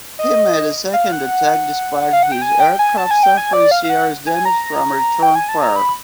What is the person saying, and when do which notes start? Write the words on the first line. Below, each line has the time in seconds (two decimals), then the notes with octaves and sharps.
He made a second attack despite his aircraft suffering serious damage from return fire.
0.19 D#5
0.93 F5
1.12 F#5
2.13 F5
2.23 F#5
2.32 G5
2.42 G#5
2.60 G5
2.79 G#5
2.98 A5
3.11 G#5
3.23 G5
3.37 G#5
3.53 D5
3.71 F5
3.84 F5
3.90 F#5
4.27 G#5
4.45 A#5
5.23 G5
5.35 G#5
5.49 A5
5.63 A#5
5.76 B5